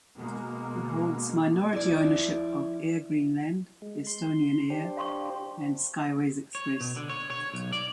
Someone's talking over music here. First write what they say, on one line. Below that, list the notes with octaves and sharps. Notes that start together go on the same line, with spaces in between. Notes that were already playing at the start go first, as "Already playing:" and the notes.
It holds minority ownership of Air Greenland, Estonian Air, and Skyways Express.
B2 G#3 A#3
F3 E4 D5
G#3
C6
D4 G4 C5
F5 C6 C#6
C#5
B2
D3
C#5
C#5
B1
D5